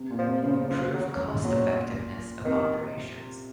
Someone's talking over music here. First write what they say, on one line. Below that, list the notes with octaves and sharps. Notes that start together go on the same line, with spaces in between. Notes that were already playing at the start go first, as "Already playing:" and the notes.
Improve cost-effectiveness of operations.
Already playing: C3
A#2
F3
C3
C#3 F3
F3
F#3
F#3
G#3
A#2 F#3
C3 D#3